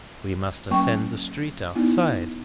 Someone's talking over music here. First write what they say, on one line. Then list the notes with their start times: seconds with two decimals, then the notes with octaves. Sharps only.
We must ascend the street outside.
0.71 F#3 A#3 C#4 G5 C#6
1.75 B3 D#4 E4